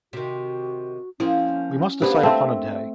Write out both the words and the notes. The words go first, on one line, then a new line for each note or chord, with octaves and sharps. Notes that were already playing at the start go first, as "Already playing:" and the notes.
We must decide upon a day.
C3 D#3 F#4
F3 A#3 C4 C#4 E4
A#3 B3 D4 G4 C5
A3 C4 E5 A5 C6